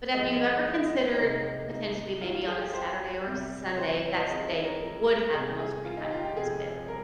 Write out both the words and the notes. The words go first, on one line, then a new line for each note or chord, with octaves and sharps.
But have you ever considered, potentially, maybe on a Saturday or a Sunday, if that's the day you would have the most free time, if it was available,
G#2 F3 G#3 D#5
D#5
D#5
D#5
D#5
C#5
C2 C3 D#3 G#3 D#4
D#4
D#2 D#3 G3 F4
F4
G#4
G4
C5
C2 C3 G3
C#5
C5
C#5
D#5
F2 D#3 G#3 D#5
C#5
A#4
A#4
A#4
C2 C3 G3 G#4
G#4
F4
D#4
G4
F4
G4
F2 C3 F3 G#3 G#4
A#4